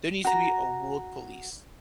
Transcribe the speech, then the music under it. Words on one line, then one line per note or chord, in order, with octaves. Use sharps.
There needs to be a world police.
F#4 A#5